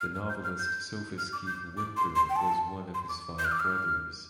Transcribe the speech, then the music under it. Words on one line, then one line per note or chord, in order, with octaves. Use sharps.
The novelist Sophus Keith Winther was one of his five brothers.
F6
F6
G6
F6
G6
F6
D6
G6
D6
C6
C6
G5
A5
C6
D6
G6
F6
D6
F6